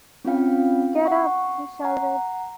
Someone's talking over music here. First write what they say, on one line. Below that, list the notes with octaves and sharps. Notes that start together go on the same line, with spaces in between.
'Get up!’ he shouted.
C4 C#4 F4 F5 G5
F#5 C#6
F#5 A#5